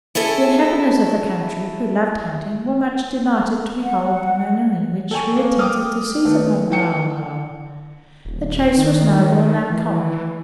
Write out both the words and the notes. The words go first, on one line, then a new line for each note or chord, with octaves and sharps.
The inhabitants of the country, who loved hunting, were much delighted to behold the manner in which we attempted to seize upon Wauwau; the chase was noble and uncommon.
C#4 E4 G#4 A4
F#5
A4 G5 G#5 C#6
A#3 B3
G5 D6 D#6 F6
D#3 A3 B3
E3 G5 C#7
D#1
D#3
E3